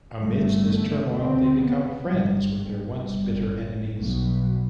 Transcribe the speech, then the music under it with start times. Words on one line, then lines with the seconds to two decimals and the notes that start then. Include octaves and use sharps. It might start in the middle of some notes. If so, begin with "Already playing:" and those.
Amidst this turmoil, they become friends with their once-bitter enemies.
0.19 G1 G2 A3
1.13 D2 C3 C4
1.61 B3
2.07 G1 G2 G3
3.01 G1 F#2
3.95 B1 B2